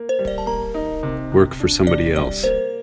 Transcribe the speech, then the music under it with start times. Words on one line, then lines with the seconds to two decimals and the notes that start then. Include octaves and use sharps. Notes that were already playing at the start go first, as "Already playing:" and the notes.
Work for somebody else.
Already playing: A#3
0.09 C5
0.19 G3
0.28 D5
0.38 A5
0.46 A#3 A#5
0.74 D#4
1.03 C3
1.32 C3
1.60 D4
1.87 C3 D5
2.16 G3 D5
2.44 A#3 C5